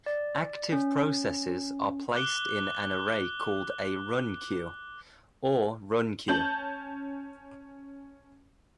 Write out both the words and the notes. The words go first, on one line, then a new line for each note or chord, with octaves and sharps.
Active processes are placed in an array called a run queue, or runqueue.
D5
C#4
D6 F#6 G7
C#4 A5 G6 F#7